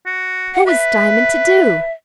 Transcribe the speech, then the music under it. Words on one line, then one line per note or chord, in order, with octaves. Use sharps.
What was Diamond to do?
F#4
F#5
B4 E5